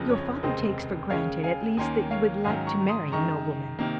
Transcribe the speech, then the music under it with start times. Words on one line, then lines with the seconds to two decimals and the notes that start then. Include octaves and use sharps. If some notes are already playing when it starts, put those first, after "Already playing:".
"Your father takes for granted at least that you would like to marry a nobleman."
Already playing: F#1 F2 C#3 F3
0.10 C#5
0.43 F1 D#2 C#3 G#3 C4 C5 D#5
1.10 D#2 C#3 G#3 C#4 C#5 F5
1.44 F5 G#5
1.77 D#2 D#3 A#3 C#4 G#5 C6
2.11 C#5 F5
2.44 G#2 D#3 F#3 C#4 F5 G#5
2.67 A#5 C#6
2.89 C6 D#6
3.12 F#2 D#3 G#3 A#5 C#6
3.79 C3 D#3 A#3